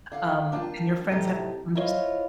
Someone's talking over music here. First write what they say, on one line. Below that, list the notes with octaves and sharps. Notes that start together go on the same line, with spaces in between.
um, and your friends have to unders
D3 F5 F#5
A#3 D4 F4 F#5 G5 A5
A2 C3 D#4 G4 A4
E4 F4 C5 C#5 D#5 F5